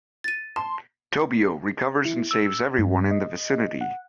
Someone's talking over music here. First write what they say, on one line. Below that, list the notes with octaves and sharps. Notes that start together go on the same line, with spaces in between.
Tobio recovers and saves everyone in the vicinity.
A6 D#7
A5 C6
E4
E6
G2
D#5
F#5